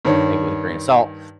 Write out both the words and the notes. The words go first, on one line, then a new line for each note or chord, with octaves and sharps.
take it with a grain of salt.
G2 D#3 C#5